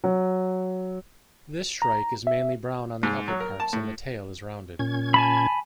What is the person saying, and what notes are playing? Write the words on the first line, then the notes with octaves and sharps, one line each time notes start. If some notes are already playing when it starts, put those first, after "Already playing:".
This shrike is mainly brown on the upper parts and the tail is rounded.
F#3
A#5
E5
G#2
F#3
A#4
A5
A2
A#2 C#4 G#6
G#5 A5 B5